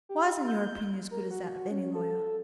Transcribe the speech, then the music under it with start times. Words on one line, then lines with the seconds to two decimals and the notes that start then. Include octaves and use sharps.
"Why isn't your opinion as good as that of any lawyer?"
0.09 G4
0.47 G6
1.11 A#4
1.31 F#4
1.71 C#4
1.95 A4